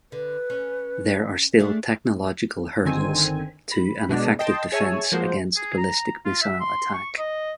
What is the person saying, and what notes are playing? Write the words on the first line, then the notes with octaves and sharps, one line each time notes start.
There are still technological hurdles to an effective defense against ballistic missile attack.
D3 B4
C#4
A3 D4 G#4
G1 D3 D#3 C4 G#5
B5
B2 G#3 D4
D#5 G5 A5 C6
G#4 C#5 E5 G#5 A5
F3 G#3 A#3 F#4 C5
G#4
A#5
F4
E5
C6
C#6
D#5